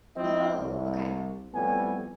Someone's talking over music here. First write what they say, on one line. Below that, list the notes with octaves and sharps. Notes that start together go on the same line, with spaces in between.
Oh, okay.
F3 C4 E4 C5 D#5 G5
C2
F2 A2 G3 B3 G#5